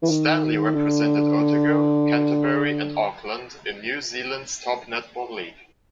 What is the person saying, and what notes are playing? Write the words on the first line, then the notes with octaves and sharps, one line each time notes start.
Stanley represented Otago, Canterbury and Auckland in New Zealand's top netball league.
E3
D#3
D3